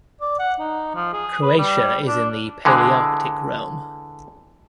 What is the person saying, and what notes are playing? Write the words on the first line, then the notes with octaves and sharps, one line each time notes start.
Croatia is in the Palearctic realm.
D5
F#5
D#4
F3
G#4
B4
G3
D4
D3 E3 G#3